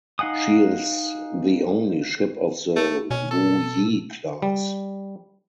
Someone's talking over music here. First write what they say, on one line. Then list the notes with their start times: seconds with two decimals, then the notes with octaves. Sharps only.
She is the only ship of the "Wu Yi" class.
0.19 D#4 F5 F#5 G#5 D#6
2.76 A3
3.10 B2 C#4
3.30 A4
4.42 G3